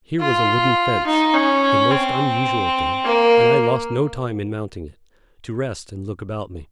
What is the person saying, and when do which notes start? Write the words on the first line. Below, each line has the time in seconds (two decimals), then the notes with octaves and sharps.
Here was a wooden fence,--a most unusual thing,--and I lost no time in mounting it, to rest and look about me.
0.21 F4
1.06 D#4
1.34 C#4
1.91 C4
3.05 A#3